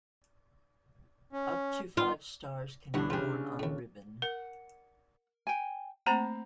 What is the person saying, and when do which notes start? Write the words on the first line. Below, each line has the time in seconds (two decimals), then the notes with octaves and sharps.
Up to five stars can be worn on a ribbon.
1.33 C#4
1.97 B3 F4
2.94 D2 G2 E3 C#4 D4 F#5
3.10 C#3 C#4 D4 F4 G4
3.59 D#2 A2
4.22 A#4 F#5
5.47 G5 G#5
6.06 A3 A#3 C4 C5 A#5 B5